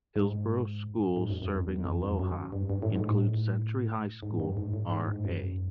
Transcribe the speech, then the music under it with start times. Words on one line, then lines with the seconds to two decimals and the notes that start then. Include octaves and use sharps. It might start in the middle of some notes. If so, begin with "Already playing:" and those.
Hillsboro schools serving Aloha include Century High School, R. A.
0.16 G#2
1.16 G#2
1.29 F#2
1.42 F#2
1.55 F2
1.68 E2
1.84 F2
2.02 F2
2.19 F#2
2.52 G2
2.70 G2
2.82 A2
2.96 G#2
3.07 A2
4.23 G#2
4.40 G2
4.57 G#2
4.74 A2
4.91 G#2
5.08 G#2
5.25 F#2